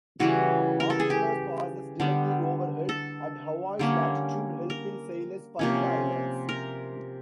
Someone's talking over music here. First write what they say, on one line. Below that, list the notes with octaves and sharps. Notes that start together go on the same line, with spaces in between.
Arcturus passes directly overhead at Hawaii's latitude, helping sailors find the islands.
C#3 E3 G3 F#4
A#4
A4
G#4
G4
D3 G3 B3
A4
D3 G3 A#3 C#4
A#4
C3 F3 A#3 C#4
A#4